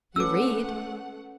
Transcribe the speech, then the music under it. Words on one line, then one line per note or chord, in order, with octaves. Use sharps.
"You read."
A3 C#4 A4 B4 F#5 D6 E6